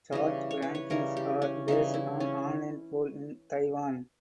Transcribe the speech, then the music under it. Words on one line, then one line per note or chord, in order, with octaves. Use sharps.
Chart rankings are based on online poll in Taiwan.
C#3 E3 G3 D#5
C#5
B4
C#5
C#3 E3 G3 A#4
G4
C#4
C#3 E3 G3 D#4
E4
C#4